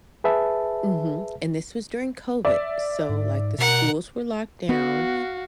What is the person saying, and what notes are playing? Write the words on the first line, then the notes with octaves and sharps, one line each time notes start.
Mhm. And this was during COVID. So like the schools were locked down.
G#4 B4 E5 A5
D5 E5
G#2
B2 A#4 F#5
B3 F#4 F5